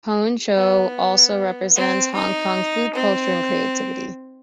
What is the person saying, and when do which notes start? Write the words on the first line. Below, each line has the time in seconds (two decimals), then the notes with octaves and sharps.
Poon choi also represents Hong Kong's food culture and creativity.
0.55 B3
1.76 C4
2.15 D#4
2.95 C4